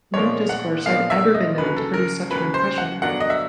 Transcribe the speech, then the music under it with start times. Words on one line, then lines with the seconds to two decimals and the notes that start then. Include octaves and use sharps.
No discourse had ever been known to produce such an impression.
0.14 A#2 F3 G#3 B3 D4 C#5
0.49 F#5
0.86 A#2 F3 G#3 B3 D4 F5
1.10 E5
1.35 D#5
1.58 D#2 C#3 F#3 B4
1.77 A4
1.94 A#4
2.30 D#2 C#3 F#3 B4
2.54 C5
2.78 F#5
3.02 G2 D3 F#3 B3 D4 F#5
3.20 D#5
3.30 E5